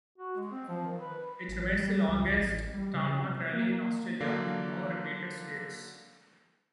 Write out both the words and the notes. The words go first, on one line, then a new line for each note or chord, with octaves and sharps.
It remains the longest tarmac rally in Australia with no repeated stages.
F#4
G#3
C4
F3
D#3
B4
A1
G3
C#2
A1
G3
C#3
C3
A#3
D3 F#3 A#3 D5 F5 C7